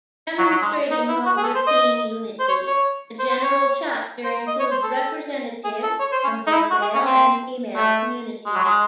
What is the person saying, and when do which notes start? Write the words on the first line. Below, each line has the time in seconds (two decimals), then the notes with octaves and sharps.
Demonstrating Norbertine unity, the general Chapter includes representatives from both male and female communities.
0.38 F#3
0.50 F#3
0.62 G#3
0.91 D#4
1.09 E4
1.26 F#4
1.37 G#4
1.43 A4
1.55 C5
1.67 D#5
2.40 C5
2.48 C#5
2.67 C#5
3.19 C5
3.30 C5
3.43 C#5
4.24 C5
4.47 D#5
4.60 C#5
4.71 C5
4.84 A4
5.64 G#4
5.83 A4
6.00 C#5
6.12 C5
6.23 C#4
6.47 D#4
6.53 E4
6.71 F#4
6.82 G#4
6.94 C#4
7.06 C4
7.76 A3
8.46 G#3
8.56 F#3
8.64 G#3